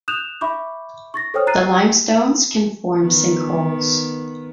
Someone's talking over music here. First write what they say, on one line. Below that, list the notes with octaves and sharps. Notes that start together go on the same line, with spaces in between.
The limestones can form sinkholes.
D#6 F#6 G6 E7 F7
E5 B5 C#6 D6 G6
C#6 A6 A#6
A4 C5 C#5 G5 D#6 F6
A#5 F#6 A6 C7 D#7
D#3 B3